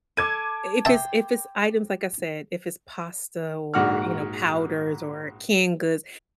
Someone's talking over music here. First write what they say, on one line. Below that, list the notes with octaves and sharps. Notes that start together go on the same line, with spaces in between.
if it's if it's items like, I said, if it's pasta or, you know, powders, or canned goods,
A4 D6 G#6 D#7
E5 G5 A5 C6
A#1 G#2 F#4 F#5 D6 F6